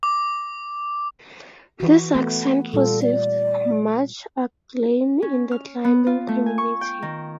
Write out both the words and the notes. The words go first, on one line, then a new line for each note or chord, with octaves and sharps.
This ascent received much acclaim in the climbing community.
D6
E3 F#4
A3 B3
A#2 G3 F4 A4
D5
C#4
F6
B3
F4
A3
G#5
C#6
G5
D#3